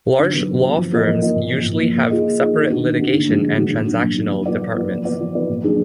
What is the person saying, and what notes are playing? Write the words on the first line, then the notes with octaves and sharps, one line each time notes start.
Large law firms usually have separate litigation and transactional departments.
D3
F#3 B3
D3
F#3 B3
F3
A#3 F4 A#4 D#5
F3
A#3 F4 A#4 D#5
A#2
F3 A#3
A#2
F3 A#3
A#3
F4 G#4 D#5
A#3
F4 G#4 D#5
D#3
A#3 D4 F#4
D#3
A#3 D4 F#4
D3
F3 G#3 D4 F#4
D3
F3 G#3 D4 F#4
A#2
F#3 D4
A#2
F#3 D4
F#3
A#3 F4 B4 D5
F#3
A#3 F4 B4 D5
F3
B3 F4 B4 D5
F3
B3 F4 B4 D5
A#2
F#3 D4 G#4